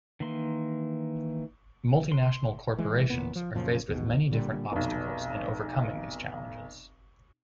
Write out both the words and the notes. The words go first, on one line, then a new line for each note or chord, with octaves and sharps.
Multinational Corporations are faced with many different obstacles in overcoming these challenges.
D#3 E3 A#3 C6
C6
E3 G#3
E2 A#2 B3
F3
F#2 A#2 C#3 F3
A1 D#2 B2
A#2 D3 G3
F1 B1